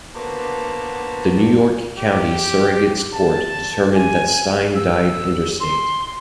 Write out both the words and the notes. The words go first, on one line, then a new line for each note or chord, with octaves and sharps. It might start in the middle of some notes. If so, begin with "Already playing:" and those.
The New York County Surrogate's Court determined that Stein died intestate.
D3 A#3 B3 F#4 C5 A5
G4
A5
G#5
E6
C6